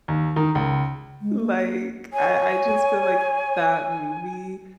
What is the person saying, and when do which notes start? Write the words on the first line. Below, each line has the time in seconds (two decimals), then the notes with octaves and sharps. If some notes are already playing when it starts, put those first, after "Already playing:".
Like, I I just feel like that movie
0.08 D#2
0.36 D#3
0.55 C#2
1.22 G#3
1.41 A#3
2.13 C#5 G#5